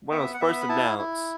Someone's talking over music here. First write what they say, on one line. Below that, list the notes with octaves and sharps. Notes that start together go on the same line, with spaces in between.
when it was first announced
B3 E5
F#5
B3 E5
B5
E4 A5
E4